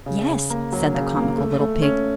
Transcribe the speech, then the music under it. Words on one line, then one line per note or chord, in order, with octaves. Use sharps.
"Yes," said the comical little pig.
C#3
C#3
A#3
F#3
C#3
A#3
A3
A3
C#4